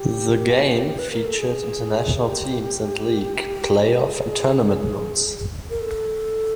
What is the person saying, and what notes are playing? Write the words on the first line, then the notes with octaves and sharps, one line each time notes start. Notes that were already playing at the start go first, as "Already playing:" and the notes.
The game featured international teams and league, play-off and tournament modes.
Already playing: G4
B4
A#4
A4
G#4
G4
G#4
A#4
A4